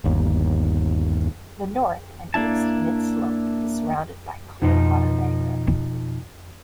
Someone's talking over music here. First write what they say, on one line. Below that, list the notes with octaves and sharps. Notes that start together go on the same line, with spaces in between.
The north and east mid slope is surrounded by Clear Water Bay Road.
G1 D#2
A#3 D4 E4 A5
F2 B2 F3 D#4